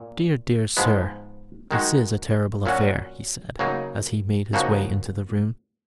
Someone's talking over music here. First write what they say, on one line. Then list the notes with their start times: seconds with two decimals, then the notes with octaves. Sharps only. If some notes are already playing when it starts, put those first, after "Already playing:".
"Dear, dear, sir--this is a terrible affair!" he said, as he made his way into the room.
Already playing: A#2
0.77 G#2 F3 G#3 B3
1.71 D#3 G#3 D#4 F#4
2.66 A#2 F#3 C#4 F#4
3.59 C#3 F#3 A#3 D#4
4.53 C#3 F3 A#3 D#4 F#4